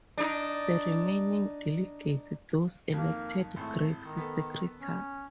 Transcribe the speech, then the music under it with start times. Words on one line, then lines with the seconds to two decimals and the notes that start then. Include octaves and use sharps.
The remaining delegates thus elected Craxi secretary.
0.18 D4 D#4
2.94 F2 D#3 A#3
3.56 G#1 A2 A3
4.01 D#3
4.17 B3 A4
4.79 C#4